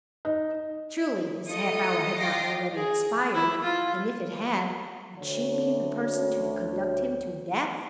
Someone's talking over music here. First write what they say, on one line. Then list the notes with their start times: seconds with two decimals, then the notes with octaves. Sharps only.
Surely, his half-hour had not already expired; and if it had, would she be the person to conduct him to death?
0.25 D#4
1.48 A3 F4 D#5 D#6 C#7
2.19 F4 D#5 G5 D6 A#6 C7
2.75 G#4
3.34 E4
3.64 F4
5.19 D2 C#5